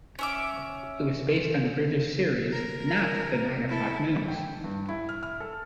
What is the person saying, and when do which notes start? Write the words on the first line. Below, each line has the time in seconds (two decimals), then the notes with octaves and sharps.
It was based on the British series, "Not the Nine O'Clock News".
0.19 C#4 E5 D6
2.52 A#4
3.69 E4 A4
4.28 G5
4.64 G2
4.89 E4
5.09 F6
5.23 F6
5.40 A4